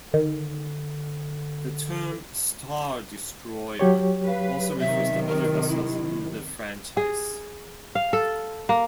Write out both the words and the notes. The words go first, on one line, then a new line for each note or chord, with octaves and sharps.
The term "Star Destroyer" also refers to other vessels in the franchise.
D3 D#3
F#3 G4 C#5
B4 F5
C3 D#3 E5
A#4
E4
G#4
F5
A4
A#3